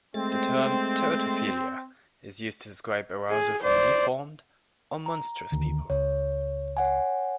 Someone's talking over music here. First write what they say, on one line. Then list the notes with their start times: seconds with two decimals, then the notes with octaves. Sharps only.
The term "teratophilia" is used to describe arousal from deformed or monstrous people.
0.14 G#3 A3 C4 A6
3.30 G#4
3.63 C5 D5
5.06 A#5
5.52 D2 D#3
5.90 C#2 C#5
6.77 C#5 F#5 G#5